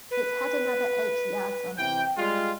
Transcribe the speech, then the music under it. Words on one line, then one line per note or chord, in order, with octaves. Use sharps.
It had another eight yards on it.
B4
C3 E3 G5
G3 G#3 F4